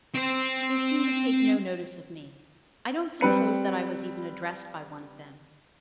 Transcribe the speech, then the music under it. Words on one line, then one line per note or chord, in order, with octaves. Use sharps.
They seemed to take no notice of me; I don't suppose that I was even addressed by one of them.
C4 C5
G3 C4 B4 C#7